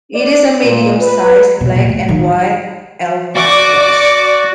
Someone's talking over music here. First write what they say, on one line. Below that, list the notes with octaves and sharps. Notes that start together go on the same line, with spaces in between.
It is a medium-sized black and white albatross.
D5
A#2
B4
B2
A#2
A2
D#3
F#4 D5 D6